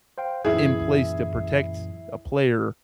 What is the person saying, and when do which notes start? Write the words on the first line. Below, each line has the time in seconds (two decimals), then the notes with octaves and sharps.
in place to protect a player,
0.18 C5 F5 G5
0.45 F#2 A#2 E3 E4 G#4